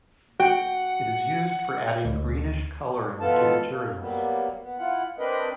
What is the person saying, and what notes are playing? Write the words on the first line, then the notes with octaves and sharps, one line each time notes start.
It is used for adding greenish coloring to materials.
F#4 F#5 G5
D2
B2 E3 B3 F4 A4 A5
A#3
F#3 G3 A#3 B3
B3
E4 F4 F#5
C4 D4 A#4 B4 D#5